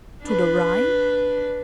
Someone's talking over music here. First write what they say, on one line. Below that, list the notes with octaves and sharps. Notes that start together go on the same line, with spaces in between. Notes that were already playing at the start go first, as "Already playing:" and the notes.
To the Rhine?
D4 B4